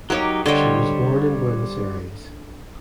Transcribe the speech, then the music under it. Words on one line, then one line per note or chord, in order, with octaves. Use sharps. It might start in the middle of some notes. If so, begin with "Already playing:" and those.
She was born in Buenos Aires.
F#3 A#3 D#4 G4 C#5
D3 G3 C5 C#5 D#5 G5